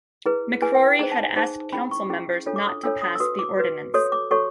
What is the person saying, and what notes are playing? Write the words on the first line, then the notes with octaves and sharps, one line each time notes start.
McCrory had asked council members not to pass the ordinance.
E4 G#4 B4
E4 G#4 B4 G#5
G5
D#4 G#4 C5 A#5
A5
G#5
D#4 G#4 C5 A5
C#4 E4 G#4 B5
C#6
C#4 E4 G#4
D4 F4 A4 C#5
D6
D#6
D4 F4 A4 C#5 E6
D#6
E6
F#4 B4 D#6
D6
F#4 B4
F#4 A4 C#5 D#6
D6
F#4 A4 C#5 C#6